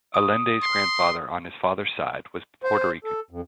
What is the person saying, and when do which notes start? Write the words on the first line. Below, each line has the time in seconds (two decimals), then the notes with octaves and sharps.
Allende's grandfather on his father's side was Puerto Rican.
0.14 D#6
0.63 C6
2.64 C5
3.04 A4
3.31 F2